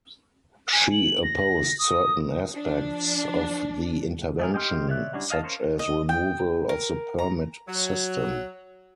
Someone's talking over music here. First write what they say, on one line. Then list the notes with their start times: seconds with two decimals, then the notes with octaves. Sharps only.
She opposed certain aspects of the intervention such as removal of the permit system.
0.73 G#5
0.91 F#7
1.23 A#6
1.79 D#6
2.51 F3 D4
4.39 A3 G#4 A#4
4.54 G4 D#5 G5 C6 F6
4.89 C#5 D5 E5 F#6
5.13 F#3 G3 C#4 D4 E4
5.30 D#5 F5 G#5 A5
5.43 C#4 A#4 C5 C#5
5.79 D#5
6.09 G5
6.69 A#4
7.18 A#5
7.68 F#3